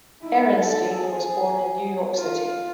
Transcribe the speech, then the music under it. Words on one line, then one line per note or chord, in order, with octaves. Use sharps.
Ehrenstein was born in New York City.
D#4 E4
A4 A5
G#4
F4